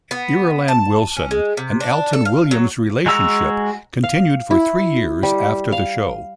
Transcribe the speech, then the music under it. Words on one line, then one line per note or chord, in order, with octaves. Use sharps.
Irulan Wilson and Alton Williams' relationship continued for three years after the show.
B3
A5
C#4
G#3
C3
D4
A4
F5
F#3
G#3 F#4 A#5 E6
F5
E4
G3
F5